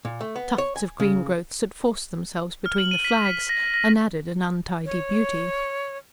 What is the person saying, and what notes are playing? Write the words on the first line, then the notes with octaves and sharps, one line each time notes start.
Tufts of green growths had forced themselves between the flags, and added an untidy beauty.
A#2
A3
B3
C#5
G#5
C#3
F6
F#7
D#7
B6
B6
A#6
A#6
C#5